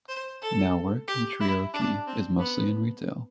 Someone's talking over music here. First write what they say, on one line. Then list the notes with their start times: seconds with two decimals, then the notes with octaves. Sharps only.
Now work in Treorchy is mostly in retail.
0.09 C5
0.42 A4
1.08 G4
1.40 E4
1.74 D4
2.07 C4
2.39 B3